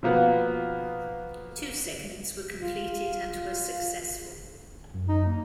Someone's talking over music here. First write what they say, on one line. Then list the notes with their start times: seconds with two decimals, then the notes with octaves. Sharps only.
Two segments were completed and were successful.
0.03 B2 F3 A#3 B3
2.61 F4
4.94 F#2
5.09 D#4
5.26 A#3